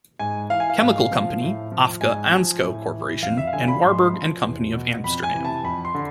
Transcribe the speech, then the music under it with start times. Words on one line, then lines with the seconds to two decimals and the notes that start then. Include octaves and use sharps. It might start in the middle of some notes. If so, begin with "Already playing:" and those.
Chemical Company, Agfa Ansco Corporation, and Warburg and Company of Amsterdam.
0.19 G#2 G#5
0.50 E3 F5
0.60 G#5
0.70 F5
0.80 G#2 F5
1.11 F3
1.40 A2
1.72 F3
2.01 G#2 G#5
2.32 F3
2.61 A2
2.93 E3
3.22 F2 F5
3.37 E5
3.47 F5
3.53 D3 F3 G#5
3.68 B5
3.82 G#2 C6
4.13 F3
4.44 E2
4.73 B2
5.04 F2 B5
5.23 G#5
5.34 C3 E3
5.45 A5
5.64 F2 B5
5.85 C6
5.95 D3